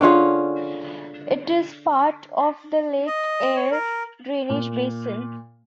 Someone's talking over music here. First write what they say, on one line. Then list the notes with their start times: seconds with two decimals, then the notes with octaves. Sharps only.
It is part of the Lake Eyre drainage basin.
0.01 D3 C#4 F4 G#4
3.07 D#5
3.56 C#5
3.71 A#4
4.49 A#2